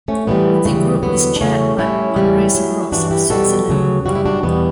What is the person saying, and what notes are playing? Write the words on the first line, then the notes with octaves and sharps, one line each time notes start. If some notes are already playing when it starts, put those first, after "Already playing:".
The Group is chaired by Andreas Gross of Switzerland.
A3 C#4
A2 E3 G3 B3
D2 C#3 E3 G3 A3
E2 D3 F#3 B3
D4
E2 C#3 F#3 A3 C#4
A2 G3 C#4 E4
E2 C#3 G3
A2 F#3
G2 E3 G3 D4 F#4
E4 G4
E2 B2 G3 F#4 A4
D2 C#3 F#3
F#2 C#3 G3 F#4
E4
D4 F#4
E2 B2 G3 B3